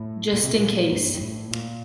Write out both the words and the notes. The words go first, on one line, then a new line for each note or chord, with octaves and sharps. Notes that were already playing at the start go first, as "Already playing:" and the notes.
Just in case.
Already playing: A2
A#2
C3
A#2
G2
G2
A2
A#2